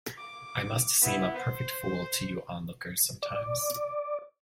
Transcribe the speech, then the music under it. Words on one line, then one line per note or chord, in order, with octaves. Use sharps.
I must seem a perfect fool to you onlookers sometimes.
D6
B3 E4
C5
D5